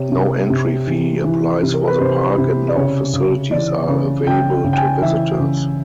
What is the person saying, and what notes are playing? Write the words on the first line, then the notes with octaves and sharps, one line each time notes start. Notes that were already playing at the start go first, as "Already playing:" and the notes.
No entry fee applies for the park and no facilities are available to visitors.
Already playing: C3 C#5
C3
C3
E3
E3
C3
A#4
B4
C3 C5
C3
D5
C#3 C#5
C#3
E3 D5
C#3
C#3 G5
C#3
G5
G#5
E3 E5
C#3